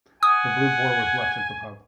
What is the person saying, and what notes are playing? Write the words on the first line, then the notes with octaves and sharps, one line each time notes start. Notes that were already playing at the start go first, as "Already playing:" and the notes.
The blue boar was left at the pub.
F#5 G#5 D#6